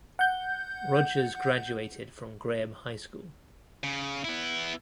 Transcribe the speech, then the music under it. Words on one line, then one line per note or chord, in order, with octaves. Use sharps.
Rogers graduated from Graham High School.
F#5 G6
C#3
B3 E4